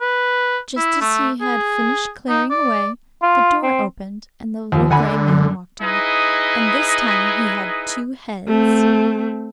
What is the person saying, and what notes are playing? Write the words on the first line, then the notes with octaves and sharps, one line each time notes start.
Just as he had finished clearing away, the door opened and the little gray man walked in, and this time he had two heads.
B4
E4
A3
G#4
D#4
D5
F4
C4
D#2 F3
D3 F#5 G#5 B5
F#2
D#4 E4 G#4 B4 D#5
A3 C4